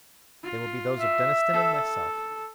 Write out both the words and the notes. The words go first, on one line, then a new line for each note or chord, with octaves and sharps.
They will be those of Deniston and myself.
F4
E5
A4